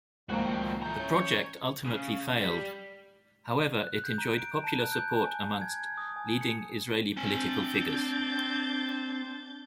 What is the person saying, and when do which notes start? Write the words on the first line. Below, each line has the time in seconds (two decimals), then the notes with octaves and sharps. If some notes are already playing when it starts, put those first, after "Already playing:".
The project ultimately failed, however it enjoyed popular support amongst leading Israeli political figures.
0.29 C#2 A#2 D#3 F3 A#3 C4 F#4 A#5
0.83 E3 A#5 G6
0.99 C#4
1.14 C#5
1.86 C#3
2.38 G3
3.83 F#6
4.04 G6
4.18 A#5
4.38 D7
4.64 A5
4.80 F#6
4.92 G6
5.23 G#5
5.62 G#6
5.97 D#6
6.16 G#5
6.41 C#7
7.17 C4 D4 G#5 G6 A6